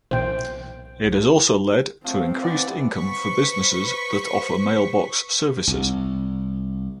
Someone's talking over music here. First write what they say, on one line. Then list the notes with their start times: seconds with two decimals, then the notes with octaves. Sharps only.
It has also led to increased income for businesses that offer mailbox services.
0.11 B1 A#2 E3 C5 G5
2.04 F3 A3 C4
2.43 E3 B3 D5
2.94 B4 C5 B5 C#6 B6 C#7
5.67 C2